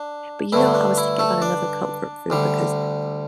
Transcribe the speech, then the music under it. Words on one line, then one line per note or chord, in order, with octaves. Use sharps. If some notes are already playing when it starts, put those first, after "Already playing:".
But you know what? I was thinking about another comfort food, because
Already playing: D4
G2 D3 A3 E4
D4
E4
A3 A4
D4 D5
D2 D3 G3